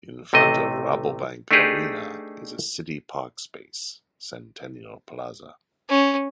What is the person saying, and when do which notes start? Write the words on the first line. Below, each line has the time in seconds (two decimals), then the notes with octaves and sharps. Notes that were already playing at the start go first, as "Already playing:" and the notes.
In front of Rabobank Arena is a city parkspace, Centennial Plaza.
0.33 A1 C3 A3 D#5
1.51 A3 D4 D#4 G4 G#4 B4
5.89 C#4